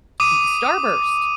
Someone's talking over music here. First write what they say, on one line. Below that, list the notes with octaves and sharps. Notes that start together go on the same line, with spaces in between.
m Starburst
D6 D#6 D#7